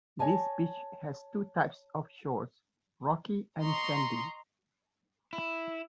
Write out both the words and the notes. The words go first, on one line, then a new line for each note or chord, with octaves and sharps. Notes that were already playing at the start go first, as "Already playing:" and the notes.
This beach has two types of shores, rocky and sandy.
C#5 D#5 G#5 A5
D#5 A#5 C6 C#6
E4